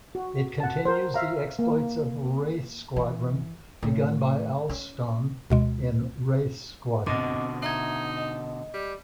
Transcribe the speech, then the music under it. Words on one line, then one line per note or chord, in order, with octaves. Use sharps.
It continues the exploits of Wraith Squadron begun by Allston in "Wraith Squadron".
F#4
F#5 A5
A#4 C5
E5 F5 A#5
A#3
E3
A2
C#4
D2 B2 G#3
B2 D3 C4 D#5 D6
D#4 E5 A#5 G#6
D#5
G3